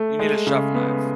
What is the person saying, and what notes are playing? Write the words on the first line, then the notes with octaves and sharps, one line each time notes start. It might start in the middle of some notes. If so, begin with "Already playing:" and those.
You need a chef knife.
Already playing: A3
G#3
C#3
B3